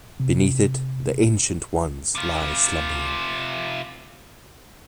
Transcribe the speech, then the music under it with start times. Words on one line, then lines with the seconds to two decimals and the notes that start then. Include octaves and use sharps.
Beneath it the "Ancient Ones" lie slumbering.
0.20 C3
2.15 C3 F4